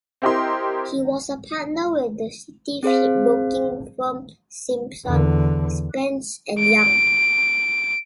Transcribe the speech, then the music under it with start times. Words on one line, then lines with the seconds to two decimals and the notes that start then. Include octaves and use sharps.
He was a partner with the City shipbroking firm Simpson, Spence and Young.
0.22 C4 E4 G4 A#4 D#5 C6
2.83 C4 G#4 C5 F5
5.06 E2 D3
6.60 D7